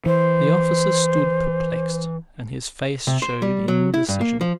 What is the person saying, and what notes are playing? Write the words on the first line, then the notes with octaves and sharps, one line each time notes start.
The officer stood perplexed and his face showed indecision.
E3 C5
C3
C5
G3
F#3
E4
G2
A#3
F3